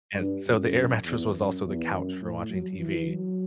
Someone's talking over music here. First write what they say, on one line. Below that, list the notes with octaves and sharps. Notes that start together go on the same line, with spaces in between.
and so the air mattress was also the couch for watching TV.
G2
F#2
E2
F#2
E2
F#2
A2
F#3
E3
F#3